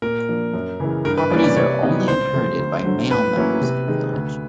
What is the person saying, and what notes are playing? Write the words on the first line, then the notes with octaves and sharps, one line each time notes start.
Properties are only inherited by male members of a village.
A#2 A#4
F3 A#3 D4
F#2
C#3 E3 G#3
G2 A#4
B4
E3 G3 A#3 C#4 D5
D5
C3 C#5
E3 G3 B3 D#4
C#2 C5
C#3 F3 A3
D2
D3 F#3 A3
A2 B4
F#3 A#3 C#4 E4
C3
D#3 G#3
D2